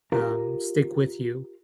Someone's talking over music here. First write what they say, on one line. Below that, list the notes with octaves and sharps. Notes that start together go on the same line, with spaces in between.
um, stick with you,
F4 G4 A#4 F5 A#5